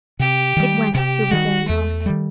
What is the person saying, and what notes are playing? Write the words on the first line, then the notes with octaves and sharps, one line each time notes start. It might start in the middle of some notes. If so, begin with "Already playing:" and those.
It went to her very heart.
C3 G4
D#3 G3
C3 G4
D#3 G3 F#4
E2 A3
D#3 G3